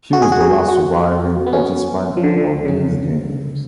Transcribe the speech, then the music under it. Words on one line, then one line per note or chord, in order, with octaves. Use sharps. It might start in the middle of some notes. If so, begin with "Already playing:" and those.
He was the last surviving participant of these Games.
F#4
G#4
F#4
G#4
F#4
B3
C#4
F3
D3
D3
C#3